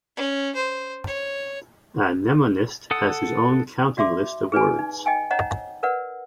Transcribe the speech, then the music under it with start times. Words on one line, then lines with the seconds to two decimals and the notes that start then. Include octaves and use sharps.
A mnemonist has his own "counting list" of words.
0.16 C#4
0.55 C5
1.07 C#5
2.91 A4 F#5 D#6
3.97 F#4 D5 E5 C6 D6
4.52 G#4 B4 D5 G#5
4.79 D#4
5.06 D#5 G5 G#5
5.31 C5 C#5 D#5 F#5 A#5
5.83 A#4 B4 D5 F#5